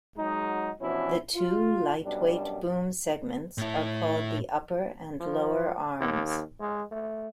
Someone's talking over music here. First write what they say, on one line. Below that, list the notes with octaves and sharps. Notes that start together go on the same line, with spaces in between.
The two lightweight boom segments are called the upper and lower arms.
F#3 G#3 D#4
B2 E3 F3 C#4 D4 E4
F4
F#2 B2 G3 D4
A2 E4
F3
D#2
G#3
A3